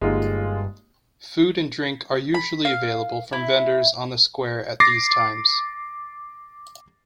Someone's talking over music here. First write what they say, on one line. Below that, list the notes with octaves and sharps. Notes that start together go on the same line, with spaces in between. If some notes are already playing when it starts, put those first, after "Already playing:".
Food and drink are usually available from vendors on the square at these times.
G1 G#3 A#3 D#4 F4 G4
B5
F5
E4
D6 A6 A#6 C7